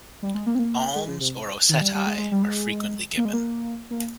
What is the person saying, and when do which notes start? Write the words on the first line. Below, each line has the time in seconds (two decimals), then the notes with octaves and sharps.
Alms or "osettai" are frequently given.
0.22 G3
0.34 G#3
0.46 A#3
0.55 C4
0.59 A#3
0.95 G#3
1.07 C#3
1.20 C3
1.69 D#3
1.81 G3
1.95 G3
2.06 G#3
2.18 G#3
2.31 G3
2.42 G#3
3.17 A#3
3.25 G#3
3.33 A#3
3.91 A#3